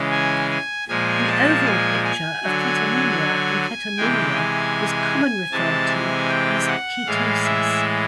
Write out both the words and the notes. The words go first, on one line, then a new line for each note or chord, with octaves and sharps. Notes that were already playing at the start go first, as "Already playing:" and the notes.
The overall picture of ketonemia and ketonuria is commonly referred as ketosis.
Already playing: C#3 E3 G#3
G#5
G#5
A#2 F3 G#3 G#5
A5
G#5
G#5
D3 F#3
C3 E3 G#3 G5
G#5
C3 E3 G#3 A5
G#5
G5
F#5
A2 E3 G#3 F5
E5